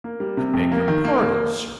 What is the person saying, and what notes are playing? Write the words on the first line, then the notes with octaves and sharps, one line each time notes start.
I beg your pardon, Sir.
A#3
G3
C3
F2
A#3
D#3
A#3
A#3